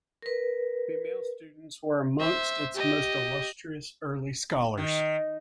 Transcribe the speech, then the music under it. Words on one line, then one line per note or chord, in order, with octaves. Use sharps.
Female students were amongst its most illustrious early scholars.
A#4 B4
C5 E5
G4 D#5
D#3